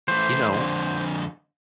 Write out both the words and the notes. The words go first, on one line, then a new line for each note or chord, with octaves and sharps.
you know,
E3 A3 C5
F2 D3